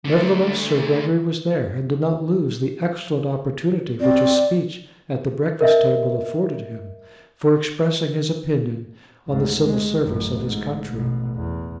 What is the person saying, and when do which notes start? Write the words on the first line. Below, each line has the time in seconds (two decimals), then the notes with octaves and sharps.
Nevertheless Sir Gregory was there, and did not lose the excellent opportunity which a speech at the breakfast-table afforded him for expressing his opinion on the Civil Service of his country.
0.05 D3 A3
4.00 C4 D5
5.61 A#4 D#5 E5
9.28 D2 G#2
9.61 G#3
10.03 A1 F#2
10.42 G#2
10.91 A1 B2
11.36 E2